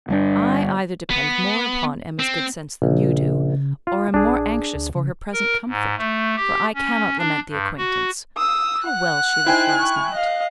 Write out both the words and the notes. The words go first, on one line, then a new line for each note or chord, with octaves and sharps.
"I either depend more upon Emma's good sense than you do, or am more anxious for her present comfort; for I cannot lament the acquaintance. How well she looked last night!"
G1 G2 B2 D4
B3
C4
A#1 C#3
F4
A#1 D4 G#4
D2
C#3
A#4
G#2
A3
G4
C#4
D4
G2
F#4
D#6 E6
F#5 F#6
D#4 E4 C5 G5 G#5
C#6
D#5 F5